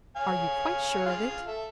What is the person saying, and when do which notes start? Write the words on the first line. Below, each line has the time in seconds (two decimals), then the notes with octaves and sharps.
"Are you quite sure of it?"
0.16 C#5 F5 G#5
1.06 F4 G#4 F5
1.47 A4 E5